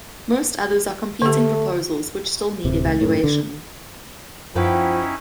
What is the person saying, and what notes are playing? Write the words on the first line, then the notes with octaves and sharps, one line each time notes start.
Most others are competing proposals which still need evaluation.
D3 A3 G4
D1 C3
C#2
F#2 A2
D3
F#2 F3 C#4 D#4 E4 B4 F#5 G5